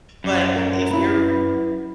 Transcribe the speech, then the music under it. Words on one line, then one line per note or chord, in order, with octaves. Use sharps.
but if you're
F#2
A#4
E4 B4